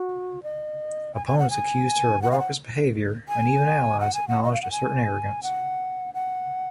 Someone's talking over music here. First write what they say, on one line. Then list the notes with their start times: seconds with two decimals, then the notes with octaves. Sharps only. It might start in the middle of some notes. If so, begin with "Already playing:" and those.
Opponents accused her of raucous behavior, while even allies acknowledged a certain arrogance.
Already playing: F#4
0.43 D#5
1.15 G#5
1.27 G#5
1.38 F#5
1.50 G#5
2.22 F#5
2.31 F5
2.39 F#5
3.29 G#5
4.00 F#5
4.14 G#5
4.28 F#5
4.43 D#5
4.53 F5
4.62 F#5
4.72 G#5
5.43 F#5
6.14 F#5